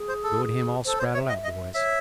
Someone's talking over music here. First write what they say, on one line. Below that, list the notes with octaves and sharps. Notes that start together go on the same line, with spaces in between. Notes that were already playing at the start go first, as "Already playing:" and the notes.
Go to him all spraddled out, boys.
Already playing: G#4
C5
A4
A4 C5
C5 C#5
C#5 E5
D#5
D#5
C#5 E5